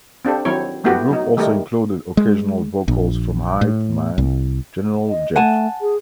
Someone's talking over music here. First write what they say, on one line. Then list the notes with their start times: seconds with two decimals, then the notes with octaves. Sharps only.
The group also included occasional vocals from hype man General Jeff.
0.25 C4 D4 G4 A4
0.45 D#3 F#3 C4 E4 C#5
0.84 G3 A3 B3 E4 F#4 G4
1.11 F#3 D#4
1.37 D#3 G3 A3 D#4 A#4
2.17 G#3
2.88 A#1
3.61 A2
4.18 C2
5.09 D#5
5.36 A3 F#5 G#5 A5
5.81 G#4